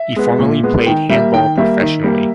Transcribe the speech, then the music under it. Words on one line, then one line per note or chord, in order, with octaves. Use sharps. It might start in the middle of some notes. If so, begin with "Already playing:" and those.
He formerly played handball professionally.
Already playing: E5
G#3 B3
A#2
G#3 B3
D#3 G5
G3 A#3 E5
D#3 G5
G3 A#3 E5
D#3
G3 A#3